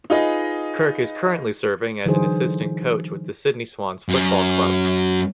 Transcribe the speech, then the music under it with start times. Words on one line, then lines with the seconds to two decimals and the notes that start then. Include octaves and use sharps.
Kirk is currently serving as an assistant coach with the Sydney Swans Football Club.
0.10 D#4 F4 G#4 B4 D#5
2.06 D3 E3 F#3 D#4 G#4 C5
4.09 F#2